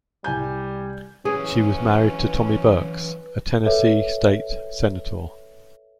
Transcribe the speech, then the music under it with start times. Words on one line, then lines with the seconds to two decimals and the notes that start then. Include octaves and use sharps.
She was married to Tommy Burks, a Tennessee State Senator.
0.24 C2 G3 G#5 G6
1.25 E3 F#3 C#4 G#4 B4
3.66 A4 B4 C#5 E5